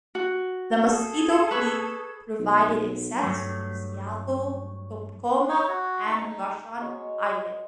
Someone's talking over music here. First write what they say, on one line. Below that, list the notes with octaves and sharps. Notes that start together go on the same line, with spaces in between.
The Mosquito Fleet provided access to Seattle, Tacoma, and Vashon Island.
F#4
G#4 A4 G#6
B4 B5 C#6
B1
G2 E3 F#3 A3
C#5
F#4
D#4
F#3 G#3 C#5 C#6